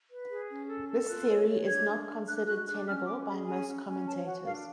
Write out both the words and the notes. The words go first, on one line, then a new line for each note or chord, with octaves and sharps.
This theory is not considered tenable by most commentators.
B4
G#4
C#4
A4
A4
F4 F#6
C#5
C#5
D4 G#6
D4
D4
D4 F#6
F#4 F#6
D4 F#6
C#4 F6
C#4 D6
G#4 B5
C#4 G#5
C#4
C#4
C#5 A5
F#4 F#5
D4 F5